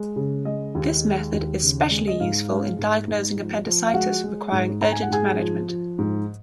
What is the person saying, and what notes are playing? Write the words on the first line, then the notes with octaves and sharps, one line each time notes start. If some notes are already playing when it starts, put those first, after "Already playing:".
This method is specially useful in diagnosing appendicitis requiring urgent management.
Already playing: G#3
C#3
G#3 D#5
D#2
G#3
D#2
C#3
G#3
D#5
G#2 F5
G#3
G#2
G#2
F3
F3
F5
G#3 F#4 F#5
G#3
G#2
G#2 A#5
G#5
F#5
G#2 G#4 G#5
F3
F3
G#2